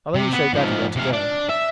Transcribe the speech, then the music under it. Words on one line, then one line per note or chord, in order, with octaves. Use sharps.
I'll only show Daddy where to go.'
C3
B3
G#2 F3
C3 F5
D4
E5